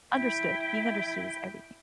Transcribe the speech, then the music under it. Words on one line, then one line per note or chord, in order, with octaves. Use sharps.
understood, being understood is everything.
E4 G5